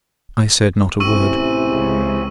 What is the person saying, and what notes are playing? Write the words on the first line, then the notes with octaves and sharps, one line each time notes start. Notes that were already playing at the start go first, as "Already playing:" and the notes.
I said not a word.
A1 C3 E3 C4 C#6 E6 D#7
C#2 C#3